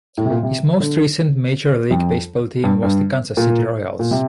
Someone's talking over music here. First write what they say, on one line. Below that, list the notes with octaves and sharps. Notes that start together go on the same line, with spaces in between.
His most recent Major League Baseball team was the Kansas City Royals.
A2
C3
A#2
C3
D3
F2
G2
G2
A#2
A#2
C3